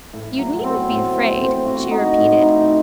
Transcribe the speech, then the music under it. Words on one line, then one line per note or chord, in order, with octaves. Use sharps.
"You needn't be afraid," she repeated.
A2
F#3
C4
A2
C4
C4
F#4
D#4
A2
D#4